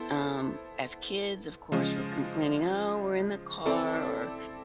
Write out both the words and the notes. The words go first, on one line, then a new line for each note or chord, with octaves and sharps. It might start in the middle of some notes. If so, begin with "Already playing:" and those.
Um, as kids, of course, we're complaining, "Oh, we're in the car," or,
Already playing: B3 E4 A4 C5
C#3 F3 G#3
C4 E4 A4 D5